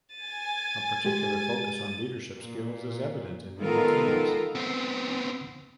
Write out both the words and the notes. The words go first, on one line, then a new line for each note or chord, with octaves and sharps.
A particular focus on leadership skills is evident in many teams.
G#5 A6 D#7
G#3 G4
A#2
D#3 G#3 B3 F4 A4 A#4
B3 C4